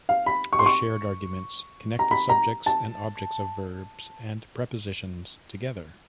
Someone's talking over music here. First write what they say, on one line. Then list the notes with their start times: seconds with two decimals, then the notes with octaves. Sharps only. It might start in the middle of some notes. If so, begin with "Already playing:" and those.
The shared arguments connect the subjects and objects of verbs and prepositions together.
0.09 F5
0.26 B5
0.53 C#6
0.59 C6
0.66 C#6
1.99 A#5
2.11 B5
2.29 A#5
2.66 A5